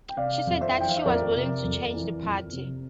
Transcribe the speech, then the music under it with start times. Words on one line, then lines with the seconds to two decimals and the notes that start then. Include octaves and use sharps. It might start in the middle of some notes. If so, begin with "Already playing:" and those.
She said that she was willing to change the party.
0.09 G5
0.17 C3 D5 F5
0.47 F2
0.61 C5 E5
0.76 E3 G5
0.89 F5
0.97 E5
1.05 F2 A#4 D5
1.35 C3
1.64 F2
1.94 E3
2.23 F2
2.52 C3